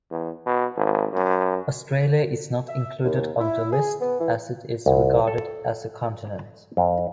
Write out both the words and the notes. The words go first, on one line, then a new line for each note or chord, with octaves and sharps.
Australia is not included on the list as it is regarded as a continent.
E2
B2
G#1
F#2
E5
D#2
E4
G#4
B3
E3
C2
A4
F2